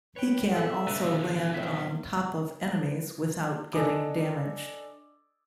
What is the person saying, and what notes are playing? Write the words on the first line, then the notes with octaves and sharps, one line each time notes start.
He can also land on top of enemies without getting damaged.
B4 C#5 G5
F3 G#4 A4 E5
B2 D3 B4
D#3 F3
F#3 C4 E5
D4 A4 D#5 G#5 D6